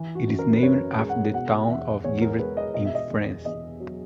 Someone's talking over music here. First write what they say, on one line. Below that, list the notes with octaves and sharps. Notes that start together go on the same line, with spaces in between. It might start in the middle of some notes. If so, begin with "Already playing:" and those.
It is named after the town of Givet in France.
Already playing: E3
F#4
F#2
A#4
B4
F#2 C#5
G#3
F#5
B2 F#5
E2 E5
E2 C#5
A#4
G#3 B4
D#5
B2 D#5
E5
D#5
E2
E2 D#5
F#3